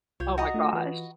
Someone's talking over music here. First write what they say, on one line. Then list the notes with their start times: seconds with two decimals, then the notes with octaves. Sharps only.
Oh my gosh.
0.20 C2 F4 C#5 G6
0.38 F#4 D#5 A#5
0.54 A3 D4 F4
0.73 E3 F4 B4